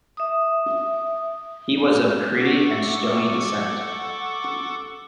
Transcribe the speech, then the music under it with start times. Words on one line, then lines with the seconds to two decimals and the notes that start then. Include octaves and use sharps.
He was of Cree and Stoney descent.
0.17 E5 D#6
2.36 A4 F#5 C#6 D6